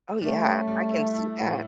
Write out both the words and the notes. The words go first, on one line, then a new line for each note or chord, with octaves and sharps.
Oh, yeah. I can see that.
G3 A3
C#4
G3
E4
E4
A2